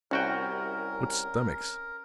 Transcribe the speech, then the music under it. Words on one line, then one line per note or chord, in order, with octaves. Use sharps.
"What stomachs!"
C2 C#4 F#4 A#4 G5